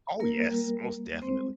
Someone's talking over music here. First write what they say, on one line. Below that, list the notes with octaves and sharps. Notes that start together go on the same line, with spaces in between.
Oh yes, most definitely.
G3 A#3 A#4
G3
A#3
G3
G#3 C4 C5